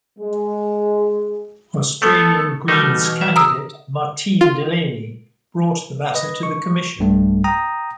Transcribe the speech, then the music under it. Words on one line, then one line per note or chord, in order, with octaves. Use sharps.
Australian Greens candidate Martine Delaney brought the matter to the Commission.
G#3
A3 B3 A4
B2 E3 G3 A3 D#4 F6
E5
A#5 D#6 E6
F4
B4 D#5
C#6
B1 G2 A3
G5 A#5 D#6